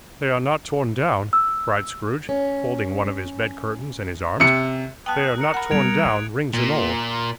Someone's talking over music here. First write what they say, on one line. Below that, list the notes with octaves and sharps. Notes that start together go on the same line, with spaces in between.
'They are not torn down,' cried Scrooge, folding one of his bed-curtains in his arms, 'They are not torn down, rings and all.
E6
C#4
C3 C#7
B3 G5 A5 D#6 F#6
A#4 F#6 C#7
F#5 B5
G3 B3 G#6 D7 F7
E4
A#2